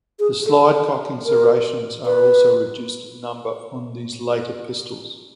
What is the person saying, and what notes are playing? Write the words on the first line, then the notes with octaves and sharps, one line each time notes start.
The slide cocking serrations are also reduced in number on these later pistols.
G#4
G#4
A4
A#4
B4